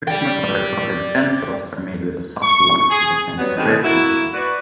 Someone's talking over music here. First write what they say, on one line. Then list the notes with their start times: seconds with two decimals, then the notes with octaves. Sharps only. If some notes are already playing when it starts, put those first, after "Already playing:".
Prismacolor colored pencils are made with a soft wax that tends to break easily.
0.07 D5 G5
2.43 C#6
2.90 G#4
3.38 F#3 G3 B3
3.57 B2 D3 D#3 G#3 C4 D#4
3.83 A#3 E4 F#4
4.33 F#4 B4 D5